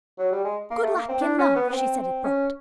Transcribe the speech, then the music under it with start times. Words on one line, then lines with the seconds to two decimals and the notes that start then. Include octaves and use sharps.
Good luck in love she said it brought.
0.19 F#3
0.32 G3
0.44 G#3
0.71 A#3
0.83 A3
0.96 A#3
1.09 C4
1.21 D4
1.38 C#4
1.56 B3
1.68 B3
1.72 C4
1.98 C4
2.24 C#4